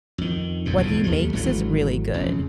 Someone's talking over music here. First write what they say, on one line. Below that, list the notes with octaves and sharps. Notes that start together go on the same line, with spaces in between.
what he makes is really good.
F2 D#3
F#1 F#2 A2
B1 E2 G2 B2
D#2 G3 A3
G#1 E3 F#3 A3
E1 F2 C#3